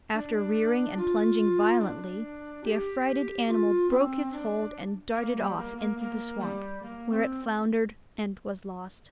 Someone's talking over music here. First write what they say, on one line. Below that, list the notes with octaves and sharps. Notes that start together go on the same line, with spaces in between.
After rearing and plunging violently, the affrighted animal broke its hold and darted off into the swamp, where it floundered and was lost.
D4
F4
D4
G4
F4
C4
D4
A#3
G3
A#3
A#3
A#3
G3
A#3
C4